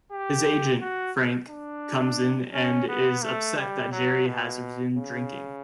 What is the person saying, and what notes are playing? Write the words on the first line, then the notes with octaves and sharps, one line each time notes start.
His agent, Frank, comes in and is upset that Jerry has resumed drinking.
G4
F#4
D4
C#4
B3
A3
G3
F#3
B2
C#3